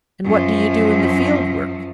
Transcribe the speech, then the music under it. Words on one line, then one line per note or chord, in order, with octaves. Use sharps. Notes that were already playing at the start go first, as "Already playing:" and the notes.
"And what do you do in the Field Work?"
F#2 F3